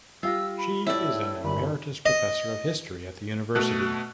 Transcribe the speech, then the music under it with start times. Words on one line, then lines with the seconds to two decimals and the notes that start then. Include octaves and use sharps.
She is an emeritus professor of history at the university.
0.23 G3 F4 F5 E6 A#6
0.58 B5
0.87 A2 E4 D5 E6
1.44 G1 A#2 B5
2.06 D#5
3.55 B2 A3 F#6